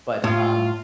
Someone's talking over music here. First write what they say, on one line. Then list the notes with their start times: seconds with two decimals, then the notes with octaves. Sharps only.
but, um.
0.24 A2 F4